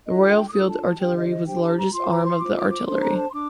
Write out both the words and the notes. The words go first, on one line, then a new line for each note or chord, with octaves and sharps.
The Royal Field Artillery was the largest arm of the artillery.
D4 F4 A4 D#5
G5
G5
D6
D4 F4 A4 D#6
A5
A5
D4 G4 C5 G5
D#5
D5
D#5
D4 G4 C5 G5
A5
A#5
F4 C5 C6
A#5
D6
C6
F4 C5 D6
D6
D6
D4 A4 C5 C6
A#5
A5
C6
D4 D6